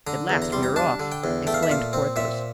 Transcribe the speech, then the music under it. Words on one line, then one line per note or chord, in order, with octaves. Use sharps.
"At last we are off!" exclaimed Porthos.
D3 A#5
E2
A#5
G3 C6
A#5
D4 A5
D3
G5
E2
A3 G5
F5
E5
A#2 F5
C4
A#2 E5